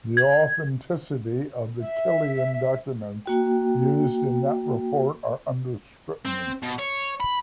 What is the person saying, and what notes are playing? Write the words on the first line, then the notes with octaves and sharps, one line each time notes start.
The authenticity of the Killian documents used in that report are under scrutiny.
G#6
E5
A#3 F#4 G5
C4
B2
C#5
B5